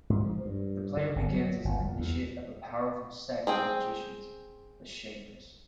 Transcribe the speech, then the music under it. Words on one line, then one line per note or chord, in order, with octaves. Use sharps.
The player begins as an initiate of a powerful sect of magicians, the Shapers.
G#2
F3
G2
D3
G1
F#3
G1
F2
E2
C4 G#4 G5